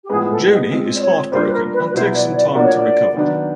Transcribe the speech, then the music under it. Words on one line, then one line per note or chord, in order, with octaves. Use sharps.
Joanie is heartbroken, and takes some time to recover.
G4
A2 F3 G#3 B3 G#4
A4
D#5
G#3 C4 F4
D5
C#5
G3 A#3 D4 F4 C5
B4
A#4
B4
B4
B2 F#3 B3 E4 C5
D5
C#5
D5
F3 A#3 D4 F#4 D5
C#5
D5
D#3 F#3 B3 D4